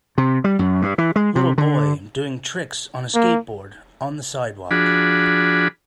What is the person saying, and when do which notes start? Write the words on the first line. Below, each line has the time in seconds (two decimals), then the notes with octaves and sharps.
Little boy doing tricks on a skateboard on the sidewalk.
0.18 C3
0.44 G3
0.59 F#2
0.82 G2
0.98 E3
1.16 G#3
1.35 C3
1.58 D3
3.15 A#3
4.71 F3 D4 F#4 G#4 B5